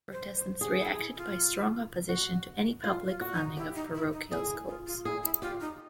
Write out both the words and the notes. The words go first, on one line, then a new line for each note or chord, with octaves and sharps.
Protestants reacted by strong opposition to any public funding of parochial schools.
C5
C5
G4 G#4
E4
E4
F4
F#4
F4 F#4
F4
F#4
D#4
E4 G4
D#4
E4
D#4
E4 G#4
E4
F4
F4
E4 G#4
E4
F4 G4
D#4